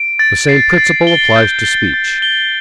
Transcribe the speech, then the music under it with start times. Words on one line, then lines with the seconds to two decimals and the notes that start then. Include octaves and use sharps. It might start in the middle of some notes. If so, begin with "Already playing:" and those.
The same principle applies to speech.
Already playing: D7
0.19 A6
0.49 C7
0.78 A6
1.07 G7
1.36 G6
1.64 G7
1.94 A6
2.22 G7